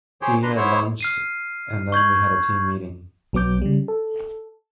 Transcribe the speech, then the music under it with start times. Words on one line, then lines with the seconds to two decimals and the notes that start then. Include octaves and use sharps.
We had lunch and then we had a team meeting.
0.22 G4 G#4 C5 C#5 G5
0.43 D4 B4 A#5 C6
0.57 B3 E4 C5 C#5
1.01 F6 C7 D#7
1.92 C#6 G6 G#6 F#7
3.33 B1 F#3 B3 D6 G6
3.62 C#3 G3
3.88 A4